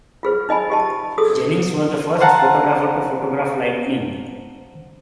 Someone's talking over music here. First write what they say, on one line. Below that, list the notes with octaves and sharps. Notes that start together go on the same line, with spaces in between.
Jennings was the first photographer to photograph lightning.
F4 G#4 C5
D#4 D#5 G#5 B5
G4 D#5 A5
F#4 G#4 A4 D#6
C5 F5 F#5 A5 A#5